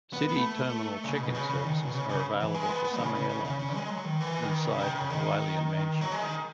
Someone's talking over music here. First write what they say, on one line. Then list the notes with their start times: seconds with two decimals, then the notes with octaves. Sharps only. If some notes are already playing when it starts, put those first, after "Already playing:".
City Terminal check-in services are available for some airlines inside the Hualian Mansion.
0.13 B3
0.28 B3
0.36 A3
1.04 C#3
1.19 B2
1.34 C#3
1.50 C#3
1.64 D#3
1.79 C#3
1.87 B2
1.94 C#3
2.09 C#3
2.40 E3
2.54 G#3
2.69 B3
2.84 B3
2.99 C#3
3.15 C#3
3.29 C#3
3.45 C#3
3.59 C#3
3.75 G#3
3.90 F#3
4.05 D#3
4.20 E3
4.42 D#3
4.65 C#3
4.80 D#3
4.95 C#3
5.10 D#3
6.01 F#3
6.12 G#3
6.23 D#3